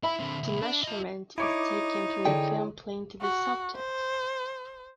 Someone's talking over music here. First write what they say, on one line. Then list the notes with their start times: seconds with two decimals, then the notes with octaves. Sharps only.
The measurement is taken from the film plane to the subject.
0.03 E4 E5 B5
0.20 D3 C4
0.43 C#2 A#2
0.62 D4
0.84 F4 D#5
1.38 D#4 E4 C#5 D6 C#7 D7
2.25 D3 D4 G#4 A4 G5
3.22 F#4
3.76 C5